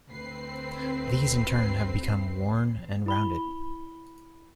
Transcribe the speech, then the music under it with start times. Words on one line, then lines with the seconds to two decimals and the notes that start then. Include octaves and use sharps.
These in turn have become worn and rounded.
0.11 D2 C4 B4 C7
3.06 E4 B5 G7